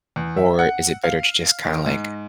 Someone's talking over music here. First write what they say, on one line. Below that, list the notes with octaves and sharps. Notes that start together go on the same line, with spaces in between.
or is it better to just kinda, like,
E2
E5
F#5
F5
D#3
G#2